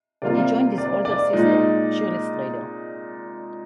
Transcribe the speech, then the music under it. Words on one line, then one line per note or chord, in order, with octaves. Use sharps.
He joined his older sister, Shirley Strader.
C3 G3 A#3 F4 D5
D5
D5
A#2 G#3 D#4